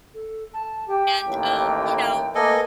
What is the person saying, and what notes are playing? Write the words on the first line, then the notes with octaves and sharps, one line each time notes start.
and, um, you know
A4
A5
G4 G5
A1 D#2 A2
A3 A#3 A4 B4 D#5 G#5